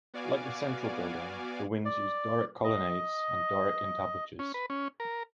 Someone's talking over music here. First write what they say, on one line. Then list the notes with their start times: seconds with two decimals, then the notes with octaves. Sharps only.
Like the central building, the wings use Doric colonnades and Doric entablatures.
0.14 B3 F#4 D5 F5 G#5 D6
1.85 D5
2.64 D#5
4.39 C#4
4.54 B4
4.70 C#4
5.00 A#4